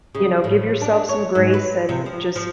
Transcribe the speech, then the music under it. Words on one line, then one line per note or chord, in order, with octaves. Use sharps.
you know, give yourself some grace and just
C#3
A2
D4
C#5
G#2
B4
C3
F3
F3